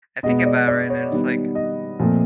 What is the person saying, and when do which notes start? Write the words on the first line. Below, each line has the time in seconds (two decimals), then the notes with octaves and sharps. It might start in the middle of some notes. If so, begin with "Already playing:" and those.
I think about it right now, and it's, like,
0.23 B2 G#3 B3 D#5
0.39 D#5
0.46 D5
0.68 D5
0.90 C#5
1.12 D#3 G3 B3
1.55 D#5
1.99 A#2 F3 A3 C4